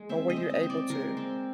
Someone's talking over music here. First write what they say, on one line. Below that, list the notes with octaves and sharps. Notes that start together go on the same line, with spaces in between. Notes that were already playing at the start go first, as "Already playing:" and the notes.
or were you able to?
Already playing: G#3
C4 E5
D#5
C4
D#5
C4
D5
G#3 A#4
C4